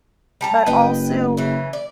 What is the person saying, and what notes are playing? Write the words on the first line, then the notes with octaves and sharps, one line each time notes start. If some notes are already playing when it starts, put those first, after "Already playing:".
but also
G3 A5 A#5
F#1 B4 D#5 G5
C#3 E3
D5